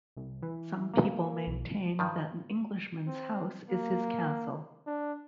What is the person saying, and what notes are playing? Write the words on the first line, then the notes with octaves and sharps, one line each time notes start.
Some people maintain that an Englishman’s house is his castle.
C2
E3
A#3
B1
G2 D#3 F3
C4
A#3
D4